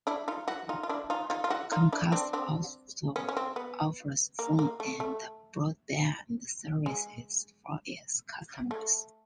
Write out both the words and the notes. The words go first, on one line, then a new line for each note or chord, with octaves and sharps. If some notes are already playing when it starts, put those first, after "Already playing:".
Comcast also offers phone and broadband services for its customers.
D4 E4
D#4 F4
E4 F#4
D#4 F4
F4
D4 E4
D#4 F4
D#4 F4
F4
E4 F#4
D#4 F4
D4 E4
C4 D4
C4 D4
B3 C#4
C#4
C4
B3
A#3
A#3
A3
A3
G#3
A3